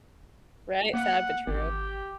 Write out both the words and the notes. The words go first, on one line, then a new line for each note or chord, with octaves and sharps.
Right, sad but true.
A#3 F#5
G#1 G4